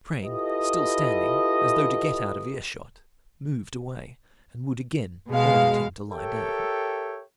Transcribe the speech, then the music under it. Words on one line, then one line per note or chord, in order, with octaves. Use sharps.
Crane, still standing, as though to get out of ear-shot, moved away, and Wood again ordered him to lie down.
E4 F4 G4 A4 B4 D#5
B2 G#3 F5
G4 A4 A#4 C#5 E5 G5